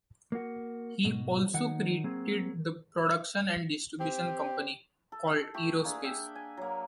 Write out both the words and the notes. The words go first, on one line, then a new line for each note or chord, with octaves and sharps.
He also created the production and distribution company called Eurospace.
A#3 F#4
B1 G#2 B2
D#3 F#3 D#4 F#5
F#3 A#3 C4 G#4
C4 G4
A4
A3 G4 C#6
A#3 D4 G#4
D5 E5 G5
G#5
F#3 A#3